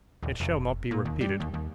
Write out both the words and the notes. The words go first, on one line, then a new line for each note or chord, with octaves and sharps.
'It shall not be repeated.
D#1
F1
A#2
D#2
G3
D#2
D#2